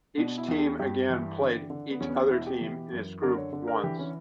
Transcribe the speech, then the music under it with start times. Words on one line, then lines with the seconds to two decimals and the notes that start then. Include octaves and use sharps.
Each team again played each other team in its group once.
0.18 B2 D4
0.38 E4
0.48 E2
0.58 G4
0.79 G2 G4
1.10 E3
1.39 D3
1.70 D3
1.91 B3
2.01 E2 C#4
2.09 B3
2.16 C#4
2.31 B2 E4
2.47 G4
2.61 E3
2.92 F#2
3.22 D3 A#4
3.37 C#5
3.53 D3
3.68 A#4
3.83 E3 G4
3.99 C#4